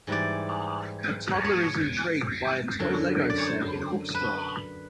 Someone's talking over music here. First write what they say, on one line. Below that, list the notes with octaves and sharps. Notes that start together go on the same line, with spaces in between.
A toddler is intrigued by a toy lego set in a bookstore.
G#2 E3 G3 D5
C#5
F#2 D3 F#3
D5
C#5
C5
B4